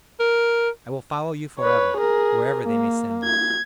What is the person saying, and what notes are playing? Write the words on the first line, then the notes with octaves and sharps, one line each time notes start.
I will follow you for ever, wherever they may send you.
A#4
B4 C#5
G#4 A#4
A#3
G#6